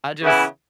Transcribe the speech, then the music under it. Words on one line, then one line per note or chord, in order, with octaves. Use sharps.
I just,
C#3 E3 B3 E4